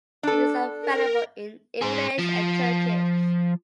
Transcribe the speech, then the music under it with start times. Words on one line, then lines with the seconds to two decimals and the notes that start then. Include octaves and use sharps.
It is available in English and Turkish.
0.23 D4 A4
0.81 A#4
1.81 G#4 C5
2.18 F3